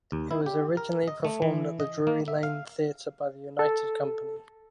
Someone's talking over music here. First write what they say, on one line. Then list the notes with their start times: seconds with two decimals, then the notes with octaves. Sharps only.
It was originally performed at the Drury Lane Theatre by the United Company.
0.12 D#2
0.31 E4
0.46 G4
0.77 A#4
1.08 D#5
1.25 A3
1.42 E3
1.80 D#5
2.07 A#3
2.28 E5
2.43 F5
3.59 A4